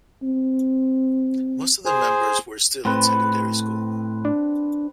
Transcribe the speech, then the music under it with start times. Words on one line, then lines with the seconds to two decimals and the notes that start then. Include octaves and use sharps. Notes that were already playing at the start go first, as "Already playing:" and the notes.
Most of the members were still in secondary school.
0.22 C4
1.85 G#4 C5 G#5
2.85 A2 C4 B4
4.25 D4